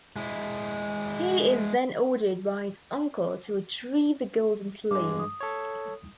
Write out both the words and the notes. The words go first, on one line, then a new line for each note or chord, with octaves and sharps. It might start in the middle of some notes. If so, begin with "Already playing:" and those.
He is then ordered by his uncle to retrieve the golden fleece.
G#3 E4
G2 G#3 D6
D#6
A4 C#5